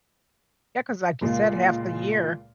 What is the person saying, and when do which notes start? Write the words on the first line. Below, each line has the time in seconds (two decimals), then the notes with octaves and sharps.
Yeah, 'cause like you said, half the year,
1.21 C#2 A#2 G#3 A#3